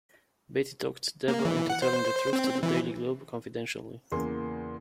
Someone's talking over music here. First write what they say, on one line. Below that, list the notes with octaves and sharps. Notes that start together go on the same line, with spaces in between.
Betty talked Debra into telling the truth to the Daily Globe, confidentially.
A#3
E3
F#5
C5
C4
E3
E2 C#3 A#3 G#4 C6